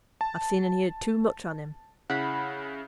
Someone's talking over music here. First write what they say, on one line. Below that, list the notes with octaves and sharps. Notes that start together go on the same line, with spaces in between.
'I've seen and heerd too much on him.'
A5
C#3 E4 F#5 B5